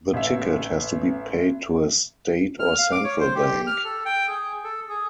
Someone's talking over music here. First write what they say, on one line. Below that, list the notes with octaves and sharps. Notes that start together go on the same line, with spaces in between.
The ticket has to be paid to a state or central bank.
A1 E5
F6
F5
D6
C#5
C5
G4
F6
A4
G5
G#4
A4
G#4